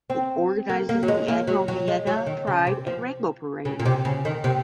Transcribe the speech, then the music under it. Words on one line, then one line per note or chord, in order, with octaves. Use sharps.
It organises the annual Vienna Pride and Rainbow Parade.
C4
A#3
A#3
F#3
G#3
A#3
F#3
F#3
G#3
F#3
D#3
C#3
C3
F3
C#3
A#2
C3
C#3
D#3
C3